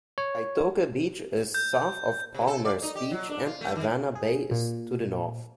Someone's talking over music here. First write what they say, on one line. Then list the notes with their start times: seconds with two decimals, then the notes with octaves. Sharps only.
Kaitoke Beach is south of Palmers Beach and Awana Bay is to the north.
0.18 C#5
1.54 G6
2.35 C3
2.47 A4
2.65 D5
2.82 D#4
2.95 G4
3.11 F#3
3.29 D4
3.46 F4
3.61 A3
3.76 D#3
4.15 G#4
4.51 A#2